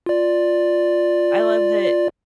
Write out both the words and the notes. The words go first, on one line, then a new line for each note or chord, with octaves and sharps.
I love that e
F4 D5